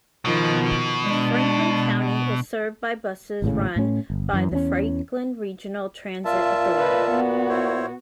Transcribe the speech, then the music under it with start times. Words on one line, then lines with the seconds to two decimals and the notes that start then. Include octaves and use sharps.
Franklin County is served by buses run by the Franklin Regional Transit Authority.
0.25 B2 D#3 F3
1.03 G#3 D4
3.42 G#1 A2 C#3
3.76 A2 A3 C#4
4.10 G1
4.33 F#2 E3
4.52 E2 C#4
6.25 A#2 F4 E5 A5
6.78 B4 D#5
7.11 B3 F#4
7.49 E4 C5 C#5